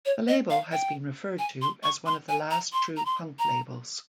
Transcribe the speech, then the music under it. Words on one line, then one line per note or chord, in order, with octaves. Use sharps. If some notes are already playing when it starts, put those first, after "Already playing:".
The label has been referred to as one of the last true punk labels.
C#5
D#5
F5
G5
G#5
C6
C#6
C6
G#5
A#5
C6
A#5
C6
A#5